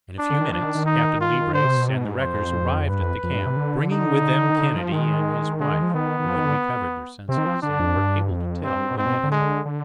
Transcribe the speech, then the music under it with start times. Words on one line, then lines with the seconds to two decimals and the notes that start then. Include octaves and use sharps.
In a few minutes Captain Leebrace and the wreckers arrived at the camp, bringing with them Kennedy and his wife, who had recovered their senses, and were able to tell what had happened.
0.18 D4
0.30 D3
0.41 D#3
0.52 F3 D4
0.63 D#3
0.75 D#3
0.86 D#4
1.20 F4
1.53 D3 C5
1.65 C3
1.76 B2
1.88 C3
1.97 B2
2.05 G#2
2.13 G2
2.22 F2 C5
2.90 G2 B4
3.00 F2
3.23 F2
3.34 G2
3.46 C3
3.57 D3
3.91 D#4
4.50 D#3
4.58 D3
4.76 F3
4.92 D#3 G#3
5.60 D3 G#3
5.71 D#3
5.82 F3
5.94 D#3 B3
6.20 D#3
6.27 F3
6.36 D#3
6.45 D3
7.29 C3 C4
7.37 D#3
7.46 F3
7.62 D3 D4
7.80 F2
7.97 G2
8.31 F2
8.64 G2 C4
8.91 B2
8.97 G#2 C4
9.06 B2
9.24 D3
9.32 G#3
9.65 D3